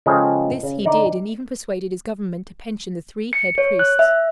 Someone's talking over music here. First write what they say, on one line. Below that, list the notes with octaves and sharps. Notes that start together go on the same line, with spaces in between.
This he did, and even persuaded his Government to pension the three head priests.
C#3 F3 G#3 G#4 A4 G5
C#3
D3 D#4 D5
C#7
C#5
F#6
E5